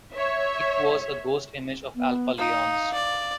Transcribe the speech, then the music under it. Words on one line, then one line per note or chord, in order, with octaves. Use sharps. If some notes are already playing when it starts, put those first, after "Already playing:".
It was a ghost image of Alpha Leonis.
C#5 E5
B3
D#4 F5
D5